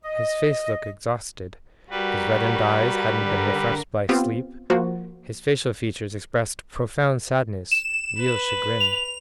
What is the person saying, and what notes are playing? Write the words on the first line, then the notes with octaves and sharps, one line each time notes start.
His face looked exhausted; his reddened eyes hadn't been refreshed by sleep; his facial features expressed profound sadness, real chagrin.
D#5
G3 F#4 A#4 B4
D3 A#4
B3 C4 F4 G4
F3 A#3 F#4 C5
E7
B4
F7